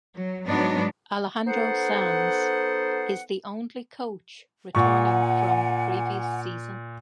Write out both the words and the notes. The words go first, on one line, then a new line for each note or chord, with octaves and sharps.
Alejandro Sanz is the only coach returning from the previous season.
F#3
G#2 F#3 B3 D4 D#4
B3 D#4 A4 C5 F#5
A#2 F#5 G#5 C#6